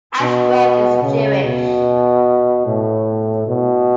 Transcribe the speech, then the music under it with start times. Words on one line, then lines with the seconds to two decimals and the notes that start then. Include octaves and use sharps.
Ashworth is Jewish.
0.21 B2
1.02 C#3
1.43 B2
2.66 A2
3.47 B2